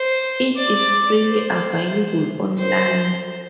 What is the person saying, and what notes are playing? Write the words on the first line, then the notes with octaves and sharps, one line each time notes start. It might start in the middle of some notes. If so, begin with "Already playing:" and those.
It is freely available online.
Already playing: C5
D5
C5
C5